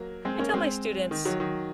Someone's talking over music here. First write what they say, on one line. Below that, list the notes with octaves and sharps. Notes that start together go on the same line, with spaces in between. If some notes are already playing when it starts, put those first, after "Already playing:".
I tell my students,
Already playing: F#3 A#3
G#3 C4
A#3 C#4
G#3 C4
D#3
D#3 F#3
D#3 F#3